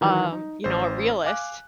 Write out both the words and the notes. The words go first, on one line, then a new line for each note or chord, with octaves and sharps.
um, you know, a realist,
D#3 E3 F#3
D#4
A1 C5
F5 G#5 D6 F#6